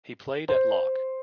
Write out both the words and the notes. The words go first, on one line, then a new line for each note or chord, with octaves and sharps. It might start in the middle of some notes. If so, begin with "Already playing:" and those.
He played at Lock.
C5